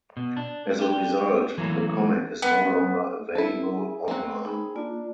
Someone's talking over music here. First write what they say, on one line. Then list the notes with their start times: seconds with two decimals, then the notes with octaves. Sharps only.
As a result, the comic is no longer available online.
0.17 B2
0.37 D4
0.79 D4 G4
1.58 E3 F#3 A3 A#3
2.42 B3
3.35 G2 E4 A4
3.75 G#4
4.08 A#3 C4 F#5
4.45 D#4 G#4 B5
4.76 A#3 D4 F4